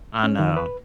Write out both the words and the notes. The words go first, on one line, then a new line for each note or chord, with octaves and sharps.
I know.
C#4
D#3
B4